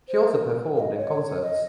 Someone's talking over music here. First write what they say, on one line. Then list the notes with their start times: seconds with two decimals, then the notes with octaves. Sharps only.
She also performed in concerts.
0.09 C5
0.31 A#4
0.76 F5
0.80 D#5
0.98 C#5
1.43 D#5